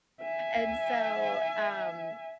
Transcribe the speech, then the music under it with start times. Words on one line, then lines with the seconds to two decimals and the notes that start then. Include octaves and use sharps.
And so, um,
0.22 E5 G#5